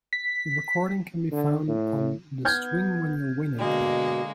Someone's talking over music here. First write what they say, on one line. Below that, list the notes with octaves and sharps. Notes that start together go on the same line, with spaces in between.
The recording can be found on the "Swing When You're Winning" album.
B6
D3
A2
B3 F6 G6 G#6
B2 D3 G#3 A#3